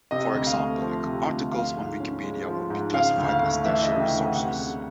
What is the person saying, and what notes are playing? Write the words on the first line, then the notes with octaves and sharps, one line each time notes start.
For example, articles on Wikipedia would be classified as tertiary sources.
C3 D#5
D2
F5
A3
F3
C3
D2
F3 F5
G#2
C#4
G#3
F3
G#2
C#3 F5
D2
F5
A3
E3 E5
D#5
C#3
G5
D2
F#5
C3 F#5
C#2